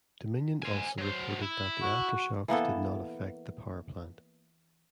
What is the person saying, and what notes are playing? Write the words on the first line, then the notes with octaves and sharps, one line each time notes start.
Dominion also reported that the aftershocks did not affect the power plant.
C5 G#5
F#3 C5
E4
F#4
E3 A#3 B3 A4